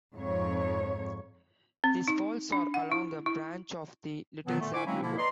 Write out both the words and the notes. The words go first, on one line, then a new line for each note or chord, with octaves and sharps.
These falls are along a branch of the Little Zab River.
F2 G#2 C#5
C4
D#4
D4
F#5
E4
E4
B2 D#3 E3 F#3 B3
A#2 D3 A3
E4 F4 C5 G#5 C#6 D6
F#3 G#3 A#3 C4 C#4 E4
B2 D3 F3 A#3 E4
B4 D5 D#5 A#5 C6